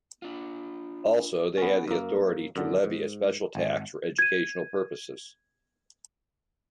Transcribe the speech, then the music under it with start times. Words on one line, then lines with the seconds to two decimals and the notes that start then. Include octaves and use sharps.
Also, they have the authority to levy a special tax for educational purposes.
0.22 D4 F4
1.58 B3 C#4
1.88 F#2 A#3
2.56 F#2 D3
2.84 G#2
3.55 G#1
4.19 G#6 D#7